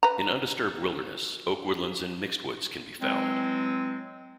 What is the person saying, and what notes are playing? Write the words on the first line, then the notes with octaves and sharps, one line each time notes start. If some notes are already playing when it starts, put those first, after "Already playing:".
In undisturbed wilderness, oak woodlands and mixed woods can be found.
B4 A#5
E3 F#3 G#3 C4